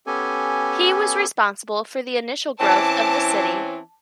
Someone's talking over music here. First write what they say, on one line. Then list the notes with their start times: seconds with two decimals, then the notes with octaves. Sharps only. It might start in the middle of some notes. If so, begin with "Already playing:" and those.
He was responsible for the initial growth of the city.
0.07 B3 C#4 G4 A4 G#5
2.59 E3 C4 C#4 A5 D6